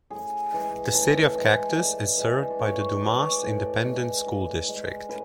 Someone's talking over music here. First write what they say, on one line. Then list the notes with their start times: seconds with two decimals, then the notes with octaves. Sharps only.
The City of Cactus is served by the Dumas Independent School District.
0.10 A2 G#4
0.52 E3 G#3
0.94 A2 A4
1.07 G#4
1.20 A4
1.35 E3 G#3
1.70 E5
1.77 A2 D5
2.18 E3 G#3
2.50 D5
2.59 A2 C#5
2.80 C#5
3.01 E3 G#3 D5
3.15 C#5
3.22 D5
3.43 A2
3.85 G#3
4.26 A2
4.68 G#3
5.09 A2 B4